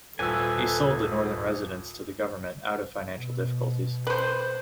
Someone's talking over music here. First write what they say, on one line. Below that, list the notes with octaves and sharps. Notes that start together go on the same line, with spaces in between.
He sold the Northern Residence to the government out of financial difficulties.
D#1 A4 B4 G#5 E6
B2
B4 C5